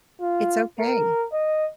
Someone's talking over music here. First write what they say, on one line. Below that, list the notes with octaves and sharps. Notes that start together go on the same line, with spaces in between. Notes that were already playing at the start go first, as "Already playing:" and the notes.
It's okay.
F4
A#4
D#5